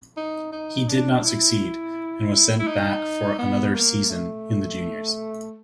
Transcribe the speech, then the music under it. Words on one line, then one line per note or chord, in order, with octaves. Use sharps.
He did not succeed and was sent back for another season in the juniors.
D#4
D#4
D4
E4
E4
D#4
B3
A#3
A3